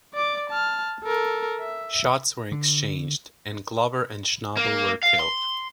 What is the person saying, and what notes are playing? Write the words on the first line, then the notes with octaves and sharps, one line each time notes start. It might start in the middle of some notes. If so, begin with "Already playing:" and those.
Shots were exchanged, and Glover and Schnabel were killed.
D5 D6
A5 F6
A4 A#4
E5
D3
A#3
F5
C6